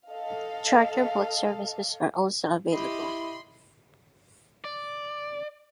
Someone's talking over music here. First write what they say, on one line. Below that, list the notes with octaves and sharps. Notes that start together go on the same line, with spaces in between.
Charter boat services are also available.
A4 D#5 F5
E4 G4 D#5 B5 C6
D5